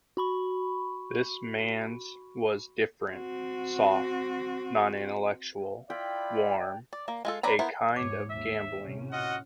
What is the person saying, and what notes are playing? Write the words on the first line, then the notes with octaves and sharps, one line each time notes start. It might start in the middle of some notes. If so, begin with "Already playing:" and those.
This man’s was different: soft, non-intellectual, warm, a kind of gambolling.
F#4 B5 C#6
C4 F#4
E4 F4 D5 G5 B5
D5
A#3
G#3 F4 A4
C#4 B4 D5 A#5 B5
B3 E4 A#4 C5
E2 G#2 C#5 D6
D#2 E5
A2 C3 C#4
F4 F#4 D#5 F#5